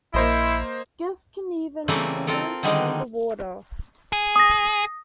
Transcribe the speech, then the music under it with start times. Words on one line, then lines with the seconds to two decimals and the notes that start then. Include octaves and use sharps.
Guests can even view them from underwater.
0.14 A#1 A#3 E4 C5 D#5
1.88 C#3 E3 G3 A3 A#3 C4
2.27 C4 F4 A4 A#4
2.63 D3 D#3 G3 G#3 D#4
4.13 G#4
4.36 D#6 A#6